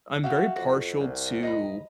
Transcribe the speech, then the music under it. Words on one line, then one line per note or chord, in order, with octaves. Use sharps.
I'm very partial to
F#4 E5 F5 G5
F2 F#4
C2
D#5 A#5 B5